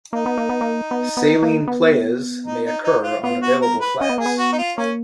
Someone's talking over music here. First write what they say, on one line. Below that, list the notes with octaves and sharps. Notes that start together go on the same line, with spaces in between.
Saline playas may occur on available flats.
A#3 D#4
B3
A#3
B3
A#3
B3
B3
A#3
B3
D#4
D#4
D#4
F4
B3 F4
F#4
A#4
B4
C#4 D#5
B3
A#3 G#4
B3
F#4
D#4
F4
A#3 C#4